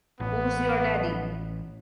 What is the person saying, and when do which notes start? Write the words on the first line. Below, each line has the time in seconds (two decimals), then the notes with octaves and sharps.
Who's Your Daddy?
0.20 A1 B3